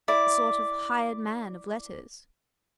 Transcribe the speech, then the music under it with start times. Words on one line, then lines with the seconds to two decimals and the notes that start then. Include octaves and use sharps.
A sort of hired man of letters!
0.08 E4 D5